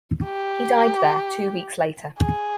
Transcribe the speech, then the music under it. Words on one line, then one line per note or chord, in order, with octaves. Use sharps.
He died there two weeks later.
G4
G#4